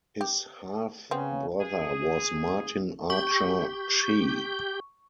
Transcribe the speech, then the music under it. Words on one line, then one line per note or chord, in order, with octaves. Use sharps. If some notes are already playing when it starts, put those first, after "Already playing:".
His half-brother was Martin Archer-Shee.
G4
C#3 B3 C4
G#4
G4 C#6 G6